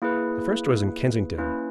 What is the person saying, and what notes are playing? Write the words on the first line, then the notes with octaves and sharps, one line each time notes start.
The first was in Kensington.
A#3 E4 G#4 B4
A#3 C#4 E4 B4